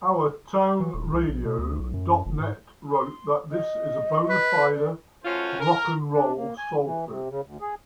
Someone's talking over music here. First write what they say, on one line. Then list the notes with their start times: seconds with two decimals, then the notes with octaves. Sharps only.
OurTownRadio dot net wrote that This is bona-fide rock n' roll soul food.
0.80 E3
0.94 D#1
1.13 C2
1.29 A#1
1.45 B2
1.58 D2
1.80 B1
1.94 F#2
2.26 F#1
2.40 G#2
2.90 C6
3.51 D#5
4.30 B4
4.74 D5
5.24 F#2 A3 C#4 F4 F#4 C5
5.60 A#4
6.13 D4
6.37 A#3
6.57 G#5
6.86 E3
7.09 C3
7.30 C#3
7.46 D2
7.61 G#4